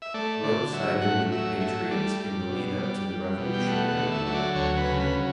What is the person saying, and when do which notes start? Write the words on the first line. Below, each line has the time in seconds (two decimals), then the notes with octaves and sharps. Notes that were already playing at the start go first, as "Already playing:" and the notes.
Roe sided with the Patriots in the lead-up to the Revolutionary War.
0.02 E5
0.14 A3 D5
0.43 D3 D5
0.72 F#3 E5
1.02 A2 F#5
1.32 F#3 E5
1.61 A3 E5
1.91 G3 D5
2.20 G3
2.49 B2
2.79 G3
3.09 G3
3.38 B2
3.54 G5
3.67 A3 F#5
3.89 F#5
3.97 D3
4.12 E5
4.26 F#3 E5
4.34 D5
4.55 D2 C#5
4.77 B4
4.84 C#3
5.00 B4
5.15 F#3